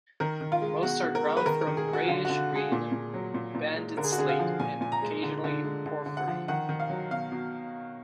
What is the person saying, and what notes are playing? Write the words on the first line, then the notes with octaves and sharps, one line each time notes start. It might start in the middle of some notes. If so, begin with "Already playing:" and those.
Most are ground from grayish green, banded slate, and occasionally porphyry.
D#3 A#4
D#3
F4
G#3
B2 F#4
B2
A#4
G#3
B4
D#3 A#4
A#4
D#3
G#4
G#3
F#4
D3 F4
D3 F#4
G#3 G#4
A#2
A#2
F#3
A#2
A#2
G#3
D3 A#4
G#4
F#4
D3 G#4
F5
F3
A#2 G#5
A#2 G#5
A#5
G#3
D3
D3
G#3
D3
D3
F#5
F3
D#3 F#5
D#3
F5
F#3
B2 F5
B2